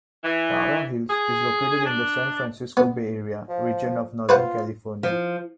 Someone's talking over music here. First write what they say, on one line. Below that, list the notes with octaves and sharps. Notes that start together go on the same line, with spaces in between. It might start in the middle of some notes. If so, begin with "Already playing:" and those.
Tara Hills is located in the San Francisco Bay Area region of Northern California.
E3
G#4
D4
B3
F3
F4 B4 C5 F#5
F3